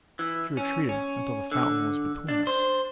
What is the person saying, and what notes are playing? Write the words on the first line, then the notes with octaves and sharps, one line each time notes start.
She retreated until the fountain was between us.
E3
C#4
C#4
D3
D4
C5